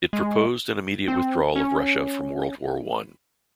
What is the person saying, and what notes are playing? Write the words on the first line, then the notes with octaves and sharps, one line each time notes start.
It proposed an immediate withdrawal of Russia from World War One.
G#3
C4
C#4